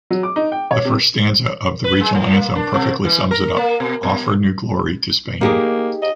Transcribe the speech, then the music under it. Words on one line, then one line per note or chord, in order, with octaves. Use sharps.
The first stanza of the regional anthem perfectly sums it up: "offer new glory to Spain".
F#3
D6
D#4
G5
C#5
C3
B4
G#3
A2
A#3
D4
C3
E3
A#4
A#3
B2
B2
A#3 D#4 G4 G#4
D#5